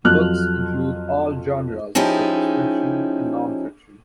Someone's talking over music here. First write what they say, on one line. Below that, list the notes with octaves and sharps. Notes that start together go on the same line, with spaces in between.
Books include all genres such as fiction and non-fiction.
F2 F3 F#3 F6 F#6
F3 C#4 D#4 E4 G4 G#4